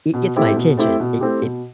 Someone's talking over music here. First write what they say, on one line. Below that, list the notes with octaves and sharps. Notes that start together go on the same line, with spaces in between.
it gets my attention. It it
B2
A3 C4 E4 G4
B2
A3 C4 E4 G4
B2
A3 C4 E4 G4
B2